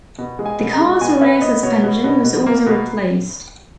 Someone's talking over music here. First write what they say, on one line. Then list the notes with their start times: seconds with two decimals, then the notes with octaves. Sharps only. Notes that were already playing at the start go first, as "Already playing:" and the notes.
The car's rear suspension was also replaced.
0.18 B2
0.39 G#3
0.46 G#5
0.60 B2
0.73 A#5
0.80 G#3
1.01 B2 G#5
1.21 B3 E5
1.42 B3 D#5
1.63 B2 C#5
1.84 B2
2.04 B2
2.25 B2
2.46 A#3
2.66 B2 B4